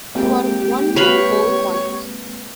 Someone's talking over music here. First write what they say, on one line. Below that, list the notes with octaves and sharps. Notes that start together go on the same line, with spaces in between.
You're Only Old Once!
G#3 A#3 C4 G4
B4 C#5 F5 B5